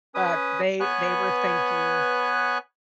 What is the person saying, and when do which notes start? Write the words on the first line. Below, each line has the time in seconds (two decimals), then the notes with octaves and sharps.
But they they were thinking
0.15 C#4 B4 D#6
0.80 B3 B4 C#5 G#5 F#6